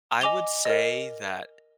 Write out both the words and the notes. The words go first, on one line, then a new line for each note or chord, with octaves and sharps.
I would say that
D#5 G#5 D6 F7 G7
A#4 D#5